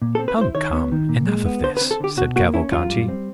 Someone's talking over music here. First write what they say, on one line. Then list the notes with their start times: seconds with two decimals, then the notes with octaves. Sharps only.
"Come, come; enough of this," said Cavalcanti.
0.02 A#2
0.15 A4
0.19 C4
0.28 B4
0.38 E4 C5
0.55 D#3 C#5
0.73 B3
0.92 D#3
1.09 A#2
1.27 G#3
1.46 B3
1.63 D3 C5
1.77 B4
1.81 C4
1.91 A4
2.00 D3 G4
2.17 B2 F#4
2.36 A#3 F#4
2.54 C#4 E4
2.71 F#2 F4
2.90 G3
3.08 C4